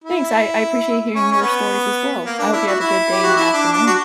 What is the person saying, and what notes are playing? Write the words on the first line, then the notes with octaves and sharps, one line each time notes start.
Thanks, I I appreciate hearing your stories as well. I hope you have a good day and an afternoon.
E4
C#4
C#4
B3
A#3
D4
E4
F#4
E4
G4
F#4
E4
D4
D4
F#4